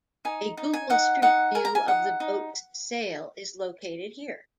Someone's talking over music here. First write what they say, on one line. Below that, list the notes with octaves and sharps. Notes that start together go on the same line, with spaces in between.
A Google Street View of the boat's sail is located here.
D#4 G#5
D#4
G#5
D#4 F#5
D#4 F#5
A#4 G#5
A#5
G#5
D#4 F#5
D#4